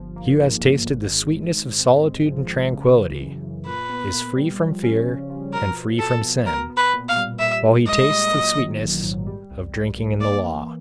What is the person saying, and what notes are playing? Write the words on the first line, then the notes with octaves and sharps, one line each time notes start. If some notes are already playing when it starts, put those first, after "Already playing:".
He who has tasted the sweetness of solitude and tranquillity, is free from fear and free from sin, while he tastes the sweetness of drinking in the law.
Already playing: G1 F3
A#3
G#2
G#2
G#1
G#1
G#1
G#1
C4
G#3
F3
C4
C#3
E3
F#2
F#2
A#2 B4
B3
A#2
G3
F3
C#4
C#3
F3
B2 A#4
B2
B2 A4
B2
B3 A#4
B3
B4
A#2
F5
G3
A#2 E5
A#2
G#3 D#5
A#2
F#3
D#3
A1
G#2
G3
C2
G3
A#2
A#3 D5
E3